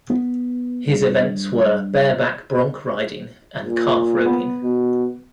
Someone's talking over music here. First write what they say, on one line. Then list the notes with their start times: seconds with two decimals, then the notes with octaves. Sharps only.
His events were bareback bronc riding and calf roping.
0.10 B3
0.88 G2
3.65 A#2
4.26 B3
4.63 B2